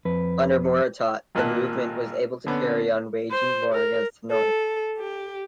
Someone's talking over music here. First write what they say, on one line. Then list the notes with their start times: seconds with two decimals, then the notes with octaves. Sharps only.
Under Muortat, the movement was able to carry on waging war against the North.
0.05 F2 B4
1.35 G#1 A#2 A#3 A5 F#6
2.46 D3 B3 C#4
3.31 C5
3.74 A#4
4.31 A4
4.97 G4